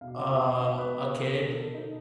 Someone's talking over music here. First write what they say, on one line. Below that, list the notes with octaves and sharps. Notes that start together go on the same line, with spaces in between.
Uh, a kid,
B2 F5
B2
E5
B2 F5
B2
B2 B4
B2
B2 A#4
B2
B2 A4
B2 D#4